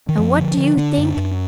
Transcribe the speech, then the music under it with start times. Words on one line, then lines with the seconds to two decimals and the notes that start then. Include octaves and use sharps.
And what do you think!
0.09 D#3
0.17 F#2 F3
0.38 D3
0.57 D3
0.77 D3 D4
0.98 F#2
1.17 F#2